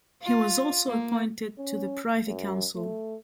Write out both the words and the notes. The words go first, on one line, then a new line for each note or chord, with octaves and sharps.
He was also appointed to the Privy Council.
F4
A#3
C#4
F#2
A3